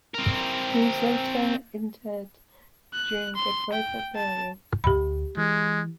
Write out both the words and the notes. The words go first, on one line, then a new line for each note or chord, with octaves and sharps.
He was later interred during a private burial.
C4 A#4
F#6
C6
G5
A5
D2 G4 B5
E3 G#3